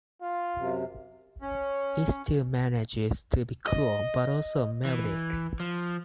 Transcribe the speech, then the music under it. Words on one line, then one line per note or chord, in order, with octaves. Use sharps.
It still manages to be cool, but also melodic.
F4
F#2 C3
C#4
D#5
E3
F3